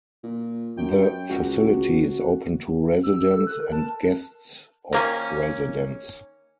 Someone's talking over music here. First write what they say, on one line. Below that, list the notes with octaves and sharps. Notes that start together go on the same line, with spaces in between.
The facility is open to residents, and guests of residents.
A#2
F#2 G5
C#2 F#4
E6
E6
A4
F#6
A#4
A5
D#3 A#3 C#4